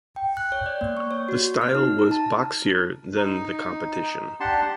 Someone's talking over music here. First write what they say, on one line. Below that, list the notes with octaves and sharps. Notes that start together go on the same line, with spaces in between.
The style was boxier than the competition.
G5
F#6
C#5
D5
A#3
C#6
C#5
F#4
F6
D#4
A#5
A5
D#4
D4 G4 F#5 A5 C6